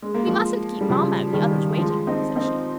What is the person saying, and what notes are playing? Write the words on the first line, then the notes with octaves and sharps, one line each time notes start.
"We mustn't keep mamma and the others waiting," said she.
G#3
A#3
F3 G#3
G3
C#3 F3
D#3 G3
F3 G#3
C4 D#4
C4 D#4